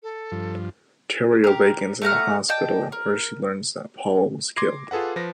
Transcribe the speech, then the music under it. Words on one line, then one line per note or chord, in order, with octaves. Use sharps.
Terri awakens in the hospital, where she learns that Paul was killed.
A4
G2 F3
G4 A#4
A3 F#5 A#5 F6
D5 D#5 G5 A5
A#4
C6 D6 G#6 A#6 C7
F4 G#4 A4 B4 F#5
F3 B4 A#6